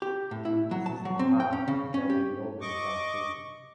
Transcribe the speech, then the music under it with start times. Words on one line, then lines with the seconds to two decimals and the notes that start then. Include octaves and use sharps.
This is the path that the others have taken.
0.02 G4
0.31 A2
0.45 E4
0.71 F#3
0.86 A5
1.05 F#3
1.19 C4
1.40 G5
1.53 C#4
1.68 C#3
1.94 C#4
2.10 G4
2.61 D#5 C#6 D6